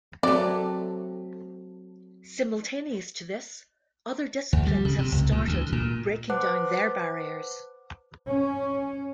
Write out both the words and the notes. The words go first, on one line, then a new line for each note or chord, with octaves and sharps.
Simultaneous to this, other disciplines have started breaking down their barriers.
F#3 A3 C4 D5
D2
G3
C#3
C3
C#2
A#2
D2
A#2
B4 C5 F#5 A5 D6 F#6
C#4